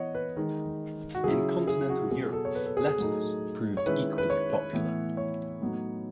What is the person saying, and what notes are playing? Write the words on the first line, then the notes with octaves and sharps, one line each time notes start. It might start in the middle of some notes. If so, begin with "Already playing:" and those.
In continental Europe, "Letters" proved equally popular.
Already playing: E3 B3 E4 C#5 D#5 F#5
B4
D#3 G#3 D#4
F#4
C#3 F#3 C#4 E4 G#4
G#4
F#4
B2 F#3 B3 G#4
A4
C#5
B4
A4
G#4
G#4
A2 F#3 A3 D#4
C#5
D#3 G#3 C#4 E4 B4
B4
C#5
A2 E3 B3 E4
C#5
A2 F#3 B3 D#4